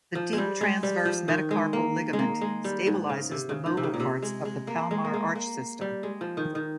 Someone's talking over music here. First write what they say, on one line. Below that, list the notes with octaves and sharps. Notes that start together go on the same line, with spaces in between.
The deep transverse metacarpal ligament stabilises the mobile parts of the palmar arch system.
F3
G#3
G3
G#3
G3
F3
D#3
G#3
A#3
G#3
A#3
G#3
G3
G#2
C#3
C3
C#3
D#3
C3
C#3
A#2
C3
G#3
G#3
A#3
G#3
A#3
G#3
A#3
G3
G#3
F3
D#3
D#3